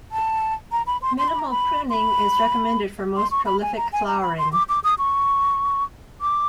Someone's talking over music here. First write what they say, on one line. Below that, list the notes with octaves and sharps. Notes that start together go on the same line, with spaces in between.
Minimal pruning is recommended for most prolific flowering.
A5
A#5
B5
C6
C6
B5
A#5
B5
C6
B5
C6
C#6
B5
G#5
A#5
G#5
A#5
B5
C6
D6
D6
D#6
C#6
D6